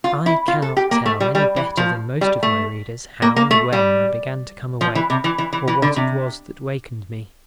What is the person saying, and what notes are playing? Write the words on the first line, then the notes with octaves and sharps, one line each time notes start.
I cannot tell any better than most of my readers how and when I began to come awake, or what it was that wakened me.
F4
E4
F4
A4
G4
A#3
A3
G3
G3
E3
F3
G3
A3
A#3
A#3
A3
G3
F3
E3
C3
E3
E3
E3
E3
D3
C3